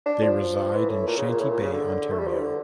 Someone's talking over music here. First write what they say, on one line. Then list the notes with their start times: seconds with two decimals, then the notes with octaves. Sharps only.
They reside in Shanty Bay, Ontario.
0.06 D4
0.22 F3
0.73 E3
0.89 A2
1.07 A#2
1.17 C#3
1.29 A#2
1.40 A2
1.51 A#2
1.62 C#3
1.73 D3
2.12 A3
2.19 G3
2.27 F3
2.34 E3
2.40 D3